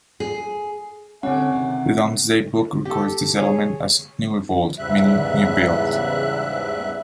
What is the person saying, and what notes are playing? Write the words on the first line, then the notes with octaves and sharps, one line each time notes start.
The Domesday Book records the settlement as "Niwebold" meaning 'New Build'.
G#4
D3 G3 C4 C#4 F#5
C3 D#3
G4 A4
G#4 C#5
E2 G#2 C#3 G3 E5 F#6